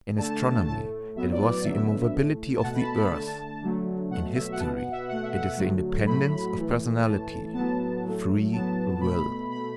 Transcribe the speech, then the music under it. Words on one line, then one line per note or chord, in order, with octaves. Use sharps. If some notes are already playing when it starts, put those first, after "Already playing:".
In astronomy it was the immovability of the earth, in history it is the independence of personality--free will.
D3 A3 A5
A2 A3 A5
A2 F#3 B3 E5
D5
D5
D3 F#3 B3 E5
A2 A3
A5
B2 A3 F#5
B5
A5
B5
D3 A3 A5
D3 F#3 A3
B2 F#3 A3 F#5
E5
F#5
B2 B3 A5
F#5
E5
B2 A3 F#5
E5
F#5
D3 F#3 A3
A2 F#3 A3 B5
A2 E3 A3
A2 E3 A3 A5
A2 F#3 B3 A5
A2 F#3 A3
A2 F#3 B3 A5
B2 A3 B5
B2 A3 B5